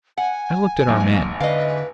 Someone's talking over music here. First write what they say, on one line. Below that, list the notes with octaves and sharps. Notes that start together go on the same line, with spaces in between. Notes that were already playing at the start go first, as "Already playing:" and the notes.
I looked at our men.
F#5 G#5
A1 E2 G#2 F#3 A#3
D3 B4 D#5 F5